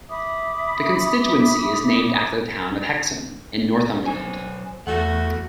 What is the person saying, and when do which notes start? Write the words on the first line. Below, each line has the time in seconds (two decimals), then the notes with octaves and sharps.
The constituency is named after the town of Hexham in Northumberland.
0.09 E5 B5 D6 D#6
4.06 B1 C5 G#5
4.87 E2 A3 F#4 F#5